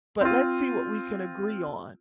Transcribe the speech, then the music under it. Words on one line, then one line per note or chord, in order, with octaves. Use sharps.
but let's see what we can agree on,
C4 F4